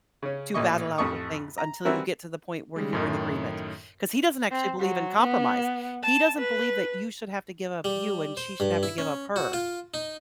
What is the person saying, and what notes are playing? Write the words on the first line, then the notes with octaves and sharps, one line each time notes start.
to battle out the things until you get to the point where you're in agreement." 'Cause he doesn't actually believe in compromise. He doesn't believe that you should have to give up you and she should have to give up her.
C#3 C#4
A1 A#2 D#5 C#6
A1 F2 A3 A4 C#6 D#6
A#5
E3 G3 C4 E4 F#4 A#4
C#3 G3 G#3
F#2 A2 D#3
C4
F#3
B3
A5
B4
G3
C5
G2
E4
C#4
F#4
F4
D#4